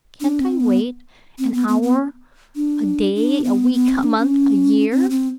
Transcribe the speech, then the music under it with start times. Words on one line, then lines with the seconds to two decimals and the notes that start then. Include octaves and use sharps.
"Can't I wait--an hour, a day, a week, a month, a year?"
0.21 D4
0.40 C4
0.60 B3
1.39 C4
1.53 B3
1.68 B3
1.83 B3
2.56 D4
3.15 D4
3.44 B3
3.74 B3
3.89 C4
4.03 D4
4.18 C#4
4.92 C4
5.11 C4